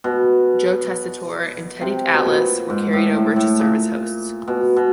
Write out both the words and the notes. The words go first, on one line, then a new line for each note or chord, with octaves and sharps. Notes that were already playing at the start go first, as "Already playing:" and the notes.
Joe Tessitore and Teddy Atlas were carried over to serve as hosts.
B2
C3
B2
A#2
G#2
A2
A2
A2
A#2
B2
B2